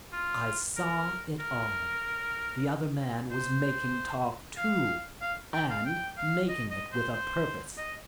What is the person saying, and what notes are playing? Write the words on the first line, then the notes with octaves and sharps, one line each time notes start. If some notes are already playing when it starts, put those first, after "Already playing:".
I saw it all; the other man was "making talk," too, and making it with a purpose.
F4
A#4
A#4
C5
F5
F5
G5
F5
G5
F5
D#5
D#5
C5
C5
D#5